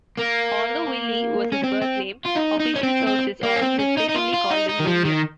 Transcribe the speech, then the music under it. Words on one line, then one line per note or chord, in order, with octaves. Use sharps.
Although Willie was his birth name, official sources often mistakenly called him William.
A#3
C#4
C4
C4
F4
D#4
D#4
C#4
C4
C4
A#3
C#4
C4
C#4
D#4
D#4
F4
F4
D#4
D#4
D#3
F3
D#3